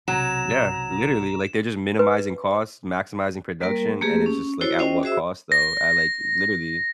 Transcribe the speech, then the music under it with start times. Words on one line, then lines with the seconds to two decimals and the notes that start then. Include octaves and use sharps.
Yeah, literally, like, they're just minimizing costs, maximizing production, and it's just, like, at what cost, though? At, like, literally
0.08 B1 C3 F#3 A#5 E7
1.99 B4
3.61 G3 A#3 A#4
4.01 A3 A#3 G4 G#4 B4
4.26 C#4
4.61 E4 F#4 A4 C5 C#5
4.79 C#4 F4 C5 D#5 G5
5.03 F#4 G#4 C5 E5 E6
5.52 A#6